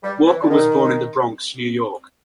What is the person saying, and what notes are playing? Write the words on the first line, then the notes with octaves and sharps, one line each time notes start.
Walker was born in The Bronx, New York.
G3
E3
D3
D#3